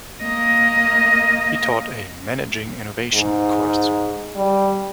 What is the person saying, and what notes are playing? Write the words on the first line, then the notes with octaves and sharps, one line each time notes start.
He taught a "Managing Innovation" course.
A#3 D#5
G#2
G3